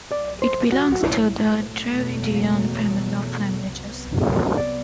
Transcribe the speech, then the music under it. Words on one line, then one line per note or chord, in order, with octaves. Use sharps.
It belongs to the Dravidian family of languages.
B1 A2 F#3 A3 D5
C5
F#4
F#4
E4
F#1 E2 B2 F#3 A3
C2 C3 F#3 B3
D5